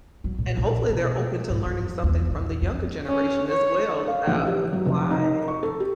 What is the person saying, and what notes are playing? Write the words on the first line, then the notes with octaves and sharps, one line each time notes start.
And hopefully they're open to learning something from the younger generation as well about why
F#3
A#2
A#1
B2
G#2
G2
F2
E2
A#2
F2
C#4
C#5
F5
A1
G4
F#3
F1
D#4
C#6
A4
G4